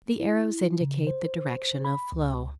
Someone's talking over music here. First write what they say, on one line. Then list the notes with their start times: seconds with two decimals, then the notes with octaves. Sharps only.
The arrows indicate the direction of flow.
0.20 E4
0.81 C#3
1.07 C5
1.85 B5
2.12 C#2